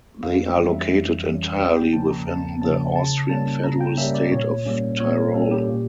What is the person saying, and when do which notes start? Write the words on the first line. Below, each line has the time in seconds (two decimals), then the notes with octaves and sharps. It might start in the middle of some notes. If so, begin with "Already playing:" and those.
They are located entirely within the Austrian federal state of Tyrol.
0.23 F2 F5
0.57 E3 G3 C#4
0.68 E5
0.91 F2
1.25 E3 G3 C#4
1.59 E2 D5
1.76 G5
1.93 C#3 F3 A#3 C#4 A5
2.10 A#5
2.27 E2 A5
2.62 C#3 F3 A#3 C#4 A5
2.95 C#3 A5
3.30 G3 A#3 C#4 A5
3.64 C#3 A#5
3.81 G5
3.97 G3 A#3 C#4 E5
4.15 D5
4.32 A#2 C#5
4.66 G3 A#3 C#4
5.00 A#2 C#5
5.17 A#4
5.34 G3 A#3 C#4 A4
5.51 G4
5.68 A#2